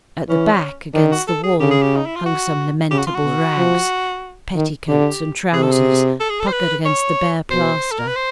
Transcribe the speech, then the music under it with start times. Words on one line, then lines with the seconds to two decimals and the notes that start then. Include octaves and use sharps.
At the back, against the wall, hung some lamentable rags, petticoats and trousers, puckered against the bare plaster.
0.29 E3 C#4
0.94 D#3 D4
1.11 F#4
1.28 A4
1.43 G#4
1.60 C#3 G4
1.71 G#4
1.83 G4
1.96 D#4
2.06 E4
2.16 F4
2.26 F#4
2.91 C#3 G4
2.98 F#4
3.07 F4
3.15 F#4
3.24 B2
3.57 F3
4.56 D#3
4.88 D3 G4
5.54 C3 G#4
5.63 A4
5.72 G#4
6.20 A4
6.30 G#4
6.40 A4
6.47 C5
6.52 B4
6.85 C#5
7.51 B2 C5
7.91 A4
7.99 A#4
8.08 B4
8.16 C5